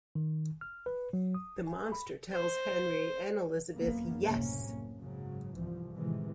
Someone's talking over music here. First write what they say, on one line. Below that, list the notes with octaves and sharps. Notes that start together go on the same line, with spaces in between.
The Monster tells Henry and Elizabeth Yes!
D#3
F6
B4
F#3
D#6
G#5
B5
C5
F#2 C#3 A#3 B3
F#1 C2 A2 C3 A#3 C#4
F#1
G#2 C#3 F#3
C2 E3 F3
A2 C3 D#3 E3 G#3